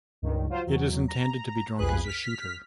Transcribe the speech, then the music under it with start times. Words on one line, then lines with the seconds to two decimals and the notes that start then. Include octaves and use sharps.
It is intended to be drunk as a shooter.
0.22 C#2 G2 D#3
0.49 F#3 F4 C5
0.67 E2 F#3
1.08 A#5
1.77 B1 F2 G#4 B4 F#6
2.03 F6 B6